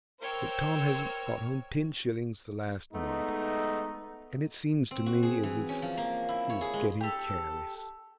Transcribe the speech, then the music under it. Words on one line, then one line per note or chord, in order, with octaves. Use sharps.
But Tom hasn't brought home ten shillings the last month, and it seems to me as if he was getting careless.
A#4 C5 C#5 G5 E6
G#3 A3 B3 D#4
C4
F#4
G#4
E3
C#4
F3
A#3
E4
C#5
G#4
G#3
G4 A4